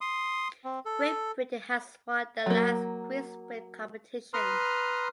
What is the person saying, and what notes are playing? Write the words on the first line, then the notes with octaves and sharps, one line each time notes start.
Great Britain has won the last three sprint competitions.
C6 D#6
C4
A4
F#3 A#3
B4 A#5 C6 D#6 F6